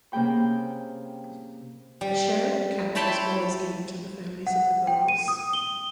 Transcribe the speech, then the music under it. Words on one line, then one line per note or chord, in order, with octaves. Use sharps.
A share of the catch was always given to the families of the girls.
C3 A#3 C#4 G#4 G5 B5
G3
E4 C#5 G5 A5 B5 C6
F#5
G5
D#7
D#6
G7